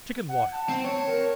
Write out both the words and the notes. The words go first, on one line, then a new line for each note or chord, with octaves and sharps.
Chicken Water.
F#5
A5
C4
C#5
A#4